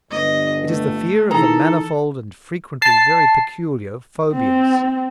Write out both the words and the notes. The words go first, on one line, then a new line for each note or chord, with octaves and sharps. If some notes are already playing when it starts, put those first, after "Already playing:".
It is the fear of the manifold and frequently very peculiar phobias.
G1 D#5
A3
D#3 E3 G#4 A4 A#5
A5 C7
C4